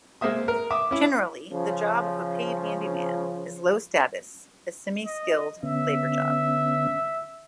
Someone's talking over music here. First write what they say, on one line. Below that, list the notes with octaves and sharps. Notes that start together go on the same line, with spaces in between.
Generally the job of paid handyman is low status, a semi-skilled labor job.
G#3 A#3 C5 E5 D#6
A#4
E5 D6 D#6
C#4 E4
C#3 F3
D#5
D3 B3 C#4 E5